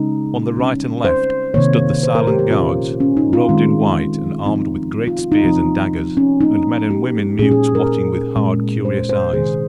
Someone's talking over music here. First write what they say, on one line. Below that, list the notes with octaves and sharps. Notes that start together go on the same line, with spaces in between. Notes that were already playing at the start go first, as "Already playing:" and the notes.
On the right and left stood the silent guards, robed in white and armed with great spears and daggers, and men and women mutes watching with hard curious eyes.
Already playing: C#3 G#3 C#4 D#4
C#3 G3 C#4
C5
C3 D#3 A#3 C#5
C5
A#4
G4
G4
A#2 F3 G#3 C#4 F4
C#4
D#4
F4
D#3 G#3 C4
C3 F3 C4 D#4
F4
F4
D#4
C3 F3 C4
C#4
F3 A#3 C#4 D#4
G4
A#2 G#3 C#4 G#4
G#4
A#4
A#2 G#3 C#4
C5
C5
C3 D#3 G#3 G#4